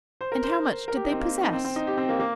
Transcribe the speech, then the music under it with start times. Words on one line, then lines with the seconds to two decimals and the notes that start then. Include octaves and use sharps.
"And how much did they possess?"
0.21 C5
0.32 A#4
0.43 C5
0.88 A#4
0.96 G4
1.04 D#4
1.12 C4
1.20 A#3
1.44 D#4
1.53 C4
1.65 C4
1.76 D#4
1.87 G4
1.97 C4
2.09 A#3
2.19 A#3